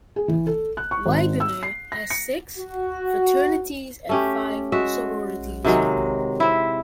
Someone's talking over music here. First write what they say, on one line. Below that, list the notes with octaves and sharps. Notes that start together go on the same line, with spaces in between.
Widener has six fraternities and five sororities.
G#4
E3
A4
F#6
C#6
G#1
E6
C7
A#6
C#7
F#4
A3 C#4 G4
G#3 F#4 E5
C3 D#3 F#3 G#3
C4 E4